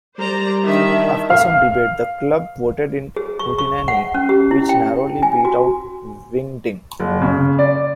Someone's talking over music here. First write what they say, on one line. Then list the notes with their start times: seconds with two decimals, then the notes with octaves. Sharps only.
After some debate the club voted in "hootenanny", which narrowly beat out "wingding".
0.19 G3 A#4 C5 D5 A#5
0.63 D#3 D4 E4 E5
1.30 F5
3.16 G#4
3.39 C#6
3.58 C#6
3.88 F#5
4.14 C#4
4.29 G4
4.51 E4
4.69 G5
5.23 G#5
5.45 F#4
7.00 F#1
7.22 C#3
7.59 D5